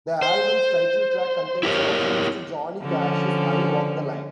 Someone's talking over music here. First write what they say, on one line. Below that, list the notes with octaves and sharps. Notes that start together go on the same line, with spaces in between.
The album's title track contains a reference to Johnny Cash's "I Walk the Line".
C5
E4 G4 A#4 C#5
D3 F3 C#4